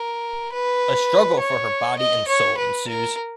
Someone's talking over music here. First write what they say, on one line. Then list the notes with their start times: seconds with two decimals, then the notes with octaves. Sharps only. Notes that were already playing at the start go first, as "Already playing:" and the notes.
A struggle for her body and soul ensues.
Already playing: A#4
0.53 B4
1.40 C#5
1.99 D#5
2.28 C#5
2.57 B4
2.87 A#4